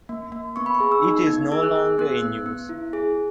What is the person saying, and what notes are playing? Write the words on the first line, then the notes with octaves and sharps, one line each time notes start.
It is no longer in use.
A#3
A#3
B3 C#6
B5
C#6
G#4
E6
D#4
B3 G#6
G#4 E6
F#6
G#4
B3 F#6
B3
B3
E4
G#4